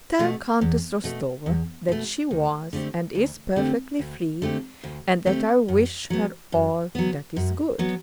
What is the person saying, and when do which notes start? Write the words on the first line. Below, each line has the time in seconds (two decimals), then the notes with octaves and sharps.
"Tell Countess Rostova that she was and is perfectly free and that I wish her all that is good."
0.19 B2 A3
0.61 E2
1.04 B2 A3
1.46 E2
1.88 B2 A3
2.31 D2
2.73 D3 A3 C4 G4
3.15 D2
3.56 D3 A3 C4 G4
3.99 D2
4.42 D3 A3 C4 G4
4.84 D2
5.26 D3 A3 C4 G4
5.68 F#2
6.10 F#3 B3
6.52 F#2
6.95 F#3 B3
7.36 F#2
7.79 F#3 B3